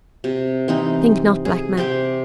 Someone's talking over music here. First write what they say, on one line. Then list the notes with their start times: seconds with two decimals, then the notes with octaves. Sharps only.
Think not black man.
0.24 C3
0.68 E3 C4 D#4
1.45 G#4
1.77 C3 C4 G5 D6